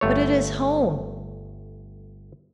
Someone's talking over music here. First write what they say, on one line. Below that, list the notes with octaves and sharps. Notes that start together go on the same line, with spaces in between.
But it is home.
G1 A3 C#5